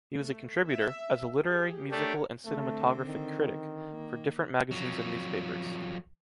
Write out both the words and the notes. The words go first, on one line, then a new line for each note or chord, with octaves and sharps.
He was a contributor, as a literary, musical and cinematographic critic, for different magazines and newspapers.
A3
E5
G4 G#4
A3 D4 G4 A#4 C#5
D3 A3 C4
D#3
A#3
F2 F#3